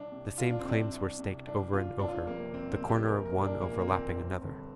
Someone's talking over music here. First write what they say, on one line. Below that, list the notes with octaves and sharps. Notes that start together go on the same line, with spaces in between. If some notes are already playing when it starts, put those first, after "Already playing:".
The same claims were staked over and over, the corner of one overlapping another.
Already playing: C2 D4
C3
C2 F4
D4
C4
C3 D4
C2
C3
C2 D4
C3 F4
G1 D4
F4
D4
F2 C3 A#3
G1 C4
C4
F2 C3
G4
A#1 A#4
A#4
A#2
D4
A#1 A#3
A#3
A#2 C4
G1
G2 D3